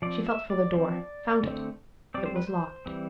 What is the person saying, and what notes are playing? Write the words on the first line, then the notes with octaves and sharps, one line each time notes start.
She felt for the door, found it--it was locked.
F3 C4 D5
E5
D5
F3 C4
D3 A3 C4
G3 C4 D5
C5
B4
C5
E3 G3 C4